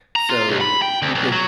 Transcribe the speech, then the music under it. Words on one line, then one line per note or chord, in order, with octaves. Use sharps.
so, you could
A#5
F4
B1
B5
G5
D2
B1
F#3